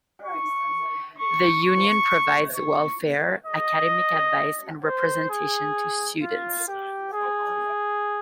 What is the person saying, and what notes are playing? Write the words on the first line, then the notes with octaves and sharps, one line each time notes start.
The Union provides welfare, academic advice and representation to students.
C#6
C#6
C#6
C#6
D#5
C5
G#4
F4
G4
G#4